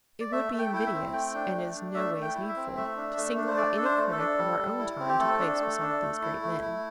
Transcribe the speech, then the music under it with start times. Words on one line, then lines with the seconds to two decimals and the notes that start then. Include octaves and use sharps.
It would be invidious, and is noways needful, to single out any critic of our own time to place beside these great men.
0.20 D5
0.32 A3 E5
0.53 A3
0.59 G5
0.73 E4 G5
0.86 E5
0.94 C4
1.13 A3 G5
1.34 D4
1.54 A3
1.75 D4
1.94 A3 E5
2.14 A3
2.22 G5
2.35 E4
2.49 E5
2.56 C4
2.76 A3 E5
2.96 D4
3.17 A3
3.37 D4
3.47 C5
3.57 A3 D5
3.77 D4 A4
3.85 C5
3.97 A3
4.12 A4
4.19 D4
4.38 G3
4.59 G3
4.79 E4
5.00 C4
5.09 G4
5.19 A3 A4
5.40 D4
5.61 A3
5.81 D4
6.02 A3
6.22 E4
6.42 A3
6.61 E4